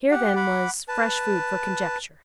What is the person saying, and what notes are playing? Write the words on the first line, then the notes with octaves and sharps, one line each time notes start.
Here then was fresh food for conjecture.
G4 F#5
F#5 B5 D6
B4 A5